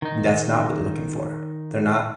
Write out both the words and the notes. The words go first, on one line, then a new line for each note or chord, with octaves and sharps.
that's not what they're looking for. They're not
D#3 D#4